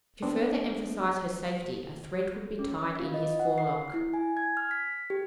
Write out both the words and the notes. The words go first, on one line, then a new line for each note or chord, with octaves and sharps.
To further emphasize her safety a thread would be tied in his forelock.
B3 C4 D4
C#4
F4
D#5
F#5
C7
E4
G#5
G#6
F6
B6
G4